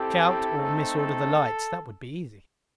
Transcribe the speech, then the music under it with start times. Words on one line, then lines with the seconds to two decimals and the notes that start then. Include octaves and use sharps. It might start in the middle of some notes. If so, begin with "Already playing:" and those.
Shout, or mis-order the lights. That would be easy.
Already playing: C4 E4 G4 A4
0.57 A3 C4 D#4
0.98 A4